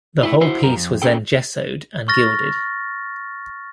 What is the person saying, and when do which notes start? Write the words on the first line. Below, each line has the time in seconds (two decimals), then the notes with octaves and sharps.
The whole piece was then gessoed and gilded.
0.23 A3 E4 F4
0.41 E4 F#4 C5
0.63 F#2 G4 A#4
0.76 F2
1.02 A3 C#4 G#4 A4 G5
2.08 C#6 F6 A6 A#6